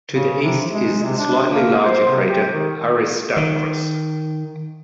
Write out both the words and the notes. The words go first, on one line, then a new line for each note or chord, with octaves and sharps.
To the east is the slightly larger crater Aristarchus.
C#3
C3
G#3
C3
D4
A#3
C5
C3
G4
D#3
D#3